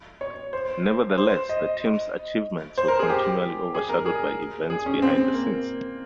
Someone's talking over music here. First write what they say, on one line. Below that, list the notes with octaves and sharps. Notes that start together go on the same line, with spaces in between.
Nevertheless, the team's achievements were continually overshadowed by events behind the scenes.
C#5
C5
C5
D#5
C5
A#4
G#4
G4
G#4
A#4
G#4
G#4
C#4
C4
A#3